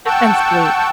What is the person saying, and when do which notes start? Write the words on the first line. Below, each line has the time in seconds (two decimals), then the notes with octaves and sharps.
"and sleep."
0.06 F#5 G5 A5 C#6 E6 G6